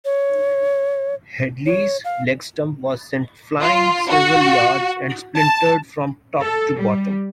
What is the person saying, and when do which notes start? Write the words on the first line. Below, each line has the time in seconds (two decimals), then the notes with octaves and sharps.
Headley's leg stump was sent flying several yards and splintered from top to bottom.
0.05 C#5
1.66 C#5
2.05 F5
3.61 F4
4.10 F#4
5.37 A5
6.42 A4
6.78 G3